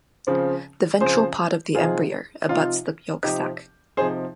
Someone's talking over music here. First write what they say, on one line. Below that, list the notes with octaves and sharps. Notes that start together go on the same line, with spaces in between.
The ventral part of the embryo abuts the yolk sac.
C#3 F3 C4
C#3 F3 C4 G#4 C5
C3 F3 C4 D#4 F4 G#4
C3 F3 C4 D#4 F4
C3 F3 C4 D#4 G4
C3 F3 C4 D#4 G#4 C5